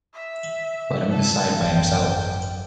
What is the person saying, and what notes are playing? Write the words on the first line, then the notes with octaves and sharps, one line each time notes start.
Let him decide by himself.
E5
A4
G#1 F#2 G5